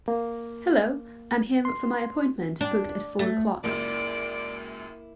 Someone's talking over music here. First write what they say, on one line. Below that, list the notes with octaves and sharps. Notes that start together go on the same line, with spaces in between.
Hello, I am here for my appointment booked at four o'clock.
A#3
C6
D4
A3
C#2 F#2 A#2 A#3 E4 D5 D7